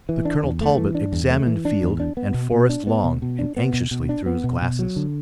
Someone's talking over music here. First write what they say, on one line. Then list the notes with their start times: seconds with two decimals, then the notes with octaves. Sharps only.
But Colonel Talbot examined field and forest long and anxiously through his glasses.
0.09 E3
0.25 D4
0.43 E2
0.61 A3
0.78 E3
0.95 D4
1.12 E2
1.30 A3
1.47 E3
1.65 D4
1.83 E2
2.00 D4
2.17 B3
2.34 B2
2.52 B2
2.69 D4
2.87 B3
3.04 B2
3.22 B2
3.39 D4
3.57 B3
3.74 B2
3.91 B2
4.09 D4
4.26 B3
4.44 B2
4.62 B2
4.79 F#3
4.96 D3